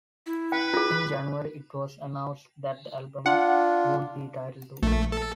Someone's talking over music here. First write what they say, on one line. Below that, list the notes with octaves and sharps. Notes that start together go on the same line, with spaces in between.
In January it was announced that the album would be titled "Two".
E4
B4 G5
F4 G#4
D4 F4 F#5
A#1 A3
A4